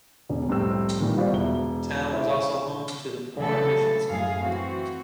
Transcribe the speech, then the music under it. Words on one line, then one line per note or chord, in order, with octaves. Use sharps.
The town was also home to the Foreign Mission School.
E1 D3 C#4
F1 C2 A2 G3 C4 E6
A#2 D#3 E3 G3
G3 B3 F4 F#4 C5 D5
E1 E4 G7
E4 C5
C#3 E3 F#3 A3 D4 A4
F#2 A2 G#4 F5
E3 C4 F#4